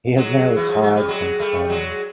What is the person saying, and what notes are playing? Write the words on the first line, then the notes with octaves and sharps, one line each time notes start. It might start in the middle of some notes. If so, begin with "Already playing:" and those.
He has now retired from performing.
F#3 G#3
E3
F3
F#3
G3
F#3 G#3
G3 A3
F#3 G#3